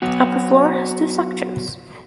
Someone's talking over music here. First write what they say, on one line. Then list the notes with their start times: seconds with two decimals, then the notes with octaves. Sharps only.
Upper floor has two sections.
0.02 F#3 B3 F#4